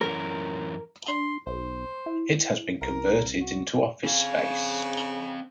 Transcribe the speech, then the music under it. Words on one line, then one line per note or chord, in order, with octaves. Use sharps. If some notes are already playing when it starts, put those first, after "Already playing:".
It has been converted into office space.
F#2 E3 C#4 A#4
D4 C6
B1 C5
E4
C2 A#4
F#4
C#3 C4 F5